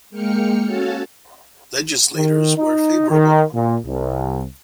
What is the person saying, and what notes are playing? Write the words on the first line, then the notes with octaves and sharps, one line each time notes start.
Legislators were favorable.
G#3 A#3 G5 F6 C#7
C#4 F#4 A4 C#5 F5 A5
D#3
D#4
D#3
A#2
C2